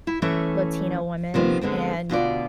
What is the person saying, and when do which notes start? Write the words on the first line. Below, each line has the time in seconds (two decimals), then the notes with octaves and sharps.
Latino women, and,
0.07 E4
0.22 E3 A3 C#4 E5
1.34 C3 D#3 F3 B3
1.61 D3 G#3 B3 C4
2.09 D2 B2 F4 D5